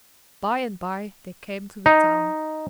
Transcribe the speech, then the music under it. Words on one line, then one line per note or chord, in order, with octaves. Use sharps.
By and by they came to the town.
D#4